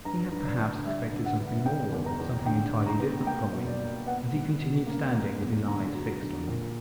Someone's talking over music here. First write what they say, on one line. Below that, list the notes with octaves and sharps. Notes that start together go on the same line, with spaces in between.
He had perhaps expected something more or something entirely different from me, as he continued standing with his eyes fixed on me.
G2 A#5
G2
D5
D3
G3 E5
D3
F#5
G2
C#3 G5
E2
A#5
E2
D3 G5
D3
A#5
B3
A#3 G5
B2
D5
A#3
B3 F#5
G3
B2
A#3
A#3
E2
D3 A#5
F#3
D3
A#2